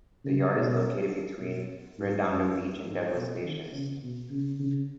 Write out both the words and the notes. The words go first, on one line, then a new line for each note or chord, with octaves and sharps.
The Yard is located between Redondo Beach and Douglas stations.
C#3
B2
B2
G#2
F#2
G#2
B2
D#3
C#3
B2
C#3
C#3